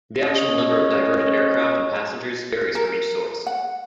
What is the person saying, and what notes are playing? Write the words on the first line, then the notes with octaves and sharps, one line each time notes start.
The actual number of diverted aircraft and passengers varies from each source.
C#4 C#5 D#5
A#4
F#5